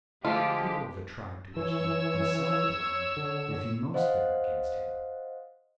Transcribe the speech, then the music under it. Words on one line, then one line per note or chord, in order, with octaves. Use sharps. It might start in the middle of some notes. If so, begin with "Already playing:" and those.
The people of the tribe to which he himself belonged were the most bitter against him.
D3 F3 G#3 A3 F4 G4
E3 C#5 E6
D3
C5 D#5 F5 F#5